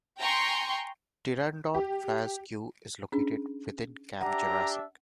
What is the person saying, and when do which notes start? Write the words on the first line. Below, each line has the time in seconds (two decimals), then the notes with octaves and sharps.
Pteranodon Flyers' queue is located within Camp Jurassic.
0.20 G5 G#5 A#5 C6 C#6
1.75 G4
3.12 C#4 D4 G#4
4.21 D4 G4 E5 F#5 A#5